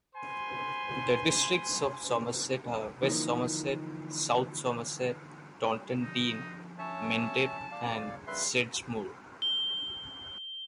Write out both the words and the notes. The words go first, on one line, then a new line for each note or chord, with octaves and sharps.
The districts of Somerset are West Somerset, South Somerset, Taunton Deane, Mendip and Sedgemoor.
C5 G#5 B5 C6
D3 E3 F3 A#3 C4 D#4
D3 F3 D#4
C#4 C#5 E5 A5
D5 F5
D#2 G#4 C#5
C#3 G3 A#3 B4 E5 C6
G7